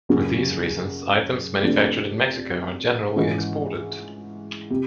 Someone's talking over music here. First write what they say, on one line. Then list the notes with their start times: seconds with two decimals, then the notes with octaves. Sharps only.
For these reasons, items manufactured in Mexico are generally exported.
0.09 F#2 C#3 F#3 A#3 C#4
1.63 C3 F3 A3 D4
3.16 G#2 E3 G#3 C#4
4.70 C3